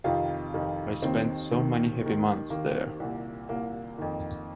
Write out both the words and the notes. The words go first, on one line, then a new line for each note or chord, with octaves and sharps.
I spent so many happy months there!
F2 C3 D#3 F4
F2 C3 D#3
D#2 D#3 C4
D#2 D#3
D#2 D#3
D#2 D#3 A#3
C2 A#2
C2 A#2 A#3
F2 D#3